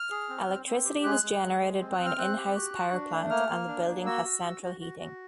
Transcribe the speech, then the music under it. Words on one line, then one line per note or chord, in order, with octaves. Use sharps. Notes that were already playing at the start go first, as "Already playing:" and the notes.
Electricity was generated by an in-house power plant and the building has central heating.
Already playing: F6
G#4
C4
C4
C4
G4
G#3 F#6
G#3
G#3
G#3
C4
F#6
C4
F6
C4 F#6
G4
F#4
F#4
D4
A3
A#3 F6
A#3
D4
A#3
F#4 E6
F#4
F#4
F#4
F#4
F#4